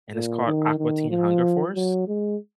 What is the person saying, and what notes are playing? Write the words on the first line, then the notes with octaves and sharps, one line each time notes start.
And it's called "Aqua Teen Hunger Force."
A#2
D#3
D#3
F3
F#3
G#3